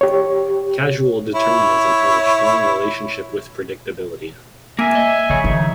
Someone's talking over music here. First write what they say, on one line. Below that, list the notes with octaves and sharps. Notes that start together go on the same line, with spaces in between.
Causal determinism has a strong relationship with predictability.
G4 C#5
E4 C#5
A#3 E5 G#5
D#5
C#3 F3 C#5
D#3 F3 D#4 E5